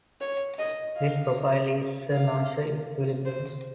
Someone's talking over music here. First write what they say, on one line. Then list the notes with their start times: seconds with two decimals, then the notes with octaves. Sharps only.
This profile is a Nash equilibrium.
0.21 C#5
0.59 D#5
0.97 F5
2.12 F5
3.25 C5